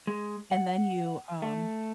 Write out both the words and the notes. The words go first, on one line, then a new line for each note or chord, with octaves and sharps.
and then you, um,
G#3
F#5
A3